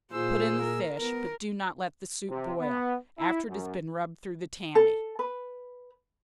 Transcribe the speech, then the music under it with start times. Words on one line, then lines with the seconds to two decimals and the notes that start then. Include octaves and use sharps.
Put in the fish, but do not let the soup boil, after it has been rubbed through the tammy.
0.12 A#2 F4 G#4 C5 E6
0.63 A#4
0.99 B3 A#4
2.29 C3
2.60 B3
3.18 E4
3.49 F#2
4.75 A4
5.19 B4